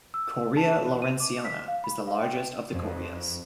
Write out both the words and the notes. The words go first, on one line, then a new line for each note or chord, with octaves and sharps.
Correa lawrenceana is the largest of the correas.
E6
A5
D#7
D6
B6
F5
B5
F5
G5
F2